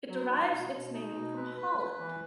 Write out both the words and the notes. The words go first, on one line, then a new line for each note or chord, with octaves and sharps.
It derives its name from Holland.
F#3
D#4
B2
B2
D#4
B2
B4
B4
B4
E3